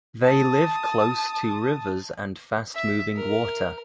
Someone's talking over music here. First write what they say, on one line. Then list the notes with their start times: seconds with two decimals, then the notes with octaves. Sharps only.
They live close to rivers and fast-moving water.
0.23 A5 D#6
2.74 E5
3.16 A#4